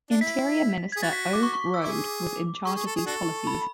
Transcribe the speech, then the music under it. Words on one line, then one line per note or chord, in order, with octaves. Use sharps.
Interior minister Ove Rode was in charge of these policies.
D4
E4 B6
G#4 G#6
F#4 A6
B6
B6
D6
C#6
C#6
E6
E4 G#4 D6
G#4 C#6
G#4
A4
G#4
D4 F#4 A4
B5